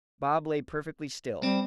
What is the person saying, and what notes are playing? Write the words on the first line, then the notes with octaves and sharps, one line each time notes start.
Bob lay perfectly still.
G3 C4